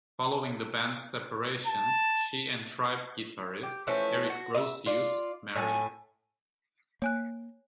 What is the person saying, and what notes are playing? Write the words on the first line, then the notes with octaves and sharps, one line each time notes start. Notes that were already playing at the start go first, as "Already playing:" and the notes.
Following the band's separation, she and Tribe guitarist Eric Brosius married.
A5
G4
E3 F3 A3 C#4
F#4
D#5 E5
F4 D5
A2 A3 G#5
A#3 C#5 G#5 F#6